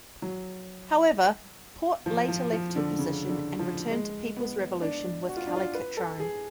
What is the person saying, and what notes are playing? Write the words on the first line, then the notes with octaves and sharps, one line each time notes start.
However, Port later left her position and returned to People's Revolution with Kelly Cutrone.
F#3
F3
F3
F3
D3
C#3
D3
F3
G#3
B3
D4
F#4
F4
D4
F4
B4
A4
G#4